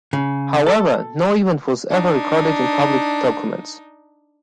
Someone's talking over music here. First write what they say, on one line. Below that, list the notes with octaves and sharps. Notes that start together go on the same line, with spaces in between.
However no event was ever recorded in public documents.
C#3
A4
D4 D#4